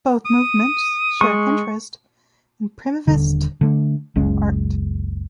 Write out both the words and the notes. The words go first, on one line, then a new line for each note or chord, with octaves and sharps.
Both movements shared interests in primitivist art.
D#6
G#3 C#6
D#1 D3
D3 A3
F#1 C#2 G#3 C#4